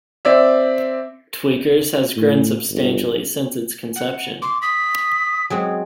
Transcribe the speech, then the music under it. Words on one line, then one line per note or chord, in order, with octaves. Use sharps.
Tweakers has grown substantially since its conception.
C4 D5 E5
A2
G1
F#5
C6 D6
D#6 B6
F#3 G#3 C4